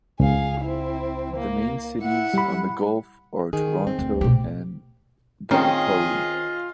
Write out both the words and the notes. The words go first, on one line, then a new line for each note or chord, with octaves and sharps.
The main cities on the gulf are Taranto and Gallipoli.
C#2 G#4 F5
C4 E4
A#3
E4 F#5
G3 B5
D#3 G#4
C4
D2
B2 A3 G4
D#3 C4 C#4 F4 G#4 D#5